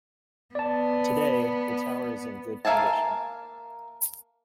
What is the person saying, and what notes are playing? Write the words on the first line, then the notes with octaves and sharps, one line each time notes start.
Today, the tower is in good condition.
B3 D5 A5
A#3 E5 F5 G#5 A5